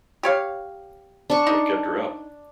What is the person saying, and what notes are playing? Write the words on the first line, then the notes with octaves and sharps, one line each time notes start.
What kept her up?
G4 C#5 F5
D4 C#6
D#4